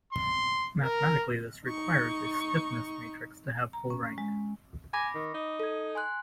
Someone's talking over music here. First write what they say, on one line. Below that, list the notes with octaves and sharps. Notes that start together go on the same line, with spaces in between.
Mathematically, this requires a stiffness matrix to have full rank.
C6
A#4
D#4 C#6
A#5
C#4
G#3
G#5 B5 D6 A#6
D#3
D#4
A4 G#6
G#5 C6 F#6